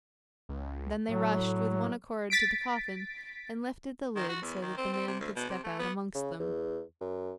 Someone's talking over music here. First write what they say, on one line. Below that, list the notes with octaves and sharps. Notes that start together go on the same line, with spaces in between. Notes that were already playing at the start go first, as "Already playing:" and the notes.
Then they rushed with one accord to the coffin, and lifted the lid so that the man could step out amongst them.
C#2
A2 F#3
A6 B6 D7
D#3
F#4
E2
D#3
C4
C4
C3
D2
B2
C3
A3
B3
C#3
E2
F#2